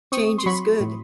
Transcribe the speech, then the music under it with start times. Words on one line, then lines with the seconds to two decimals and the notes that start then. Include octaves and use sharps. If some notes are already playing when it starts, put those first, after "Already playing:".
Change is good.
0.12 C4 C#6 D#6
0.38 C6
0.46 F#3 B5 C#6
0.80 A2